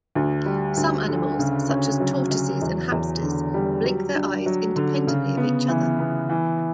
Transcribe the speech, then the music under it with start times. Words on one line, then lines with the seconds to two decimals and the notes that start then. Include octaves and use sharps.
Some animals, such as tortoises and hamsters, blink their eyes independently of each other.
0.15 D2
0.46 G3
0.77 D2
1.08 D3
1.39 C#3
1.69 C#4
2.00 F#3
2.31 F#3
2.61 E2
2.92 E2
3.22 D3
3.54 G3
3.84 F#3
4.15 D4
4.46 F#3
4.76 D3
5.07 C#3
5.37 B3
5.68 E3
5.99 B3
6.29 E3